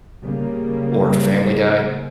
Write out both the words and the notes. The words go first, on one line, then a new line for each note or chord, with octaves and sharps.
or Family Guy
C#3 G3 A#3